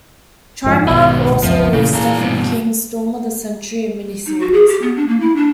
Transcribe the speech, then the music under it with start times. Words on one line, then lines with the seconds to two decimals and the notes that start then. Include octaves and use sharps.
Trimark also released Stephen King's "Storm of the Century", a miniseries.
0.64 F#1 G#2 F3
0.88 B1 G#2 D#3 B3
1.43 F1 C#2 F#2 F3
1.73 A#2 C#3 E3
1.94 G#4 A#4
2.18 G2 B2
4.26 D#4
4.40 F#4
4.53 G#4
4.68 G4
4.82 B3
4.96 D4
5.08 A#3
5.20 E4
5.36 D4